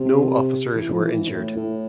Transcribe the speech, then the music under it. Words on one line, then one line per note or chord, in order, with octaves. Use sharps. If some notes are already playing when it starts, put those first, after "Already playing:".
No officers were injured.
Already playing: C3
E3
F3
E3
A2
A2